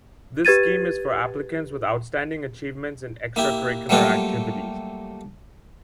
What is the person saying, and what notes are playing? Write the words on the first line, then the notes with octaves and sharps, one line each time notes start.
This scheme is for applicants with outstanding achievements in extracurricular activities.
G4 B4 G#6 A6 D#7
A#3 E4 G4
F#3 G3 A3 A#3 F4 G4